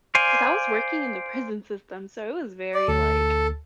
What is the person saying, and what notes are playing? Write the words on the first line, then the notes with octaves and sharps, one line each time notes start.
'cause I was working in the prison system, so it was very, like,
C5 D5 F5 G#5
D5
D2 A4